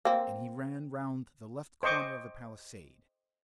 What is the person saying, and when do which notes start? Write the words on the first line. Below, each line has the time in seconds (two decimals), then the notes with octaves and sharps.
And he ran round the left corner of the palisade.
0.05 A#3 C4
1.83 C5 D#5 C#6 D6